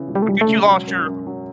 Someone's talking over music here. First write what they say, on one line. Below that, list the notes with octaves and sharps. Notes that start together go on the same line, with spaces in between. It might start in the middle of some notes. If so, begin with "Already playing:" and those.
I think you lost your,
Already playing: C#3 E3
E1
G3
A3
E1 G3
A3
C#3
F#3
F#2
F#2
F#3